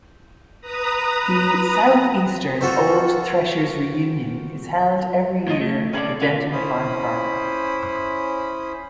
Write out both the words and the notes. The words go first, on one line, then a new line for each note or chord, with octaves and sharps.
The "Southeastern Old Threshers Reunion" is held every year at the Denton Farmpark.
B4 A#5 D#6
F4 F#4 A4 C5
A2 F4 D#5
A3
C#4 G#4 A4 D5
B2 C#4 F4 F#4 F5
C#4 E4 C5 B5 D#6